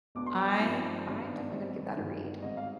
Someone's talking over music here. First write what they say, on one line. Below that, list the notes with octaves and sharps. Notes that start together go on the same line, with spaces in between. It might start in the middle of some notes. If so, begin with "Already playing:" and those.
I I'm definitely gonna give that a read.
B1 B2 B3 D4 D6
C6
G5
G#5
G2 F3 C4 D#4
G#1 G2 D#3 B3 D4
G#2 D#3 G3 C4 D#4
G1 G2 D#3 G3
G#1 G#2 G3 C4 D#5
F5